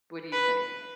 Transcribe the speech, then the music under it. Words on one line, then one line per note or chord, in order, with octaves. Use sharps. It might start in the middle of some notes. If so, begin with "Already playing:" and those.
What do you think?
B4